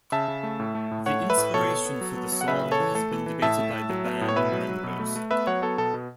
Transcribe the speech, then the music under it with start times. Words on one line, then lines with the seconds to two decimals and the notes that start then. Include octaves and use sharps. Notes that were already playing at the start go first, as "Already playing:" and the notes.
The inspiration for the song has been debated by the band members.
0.12 C#3 E5 A5
0.28 C#3
0.43 A3
0.60 A2
0.75 A3
0.91 A2
1.06 A3 C#5 F#5
1.22 A3
1.30 B4 E5
1.37 A2
1.54 B2 A4 C#5
1.69 B3
1.85 B3
2.01 F#3
2.17 B3
2.32 F#3
2.41 F#5
2.48 C#3 B4 E5
2.64 C#3
2.72 A4 C#5
2.80 E3
2.95 A3 A4
3.11 E3
3.26 E3
3.42 A2 E5 A5
3.59 A3
3.73 A2
3.89 F#3
4.05 B3
4.21 A2
4.28 C#5
4.36 B2 B4 E5
4.52 F#3
4.69 F#3
4.84 B2
4.99 A3
5.16 A3
5.31 B3 B4 E5
5.47 F#3 C#5 F#5
5.62 B3 A4 C#5
5.78 B2 A4
5.94 B2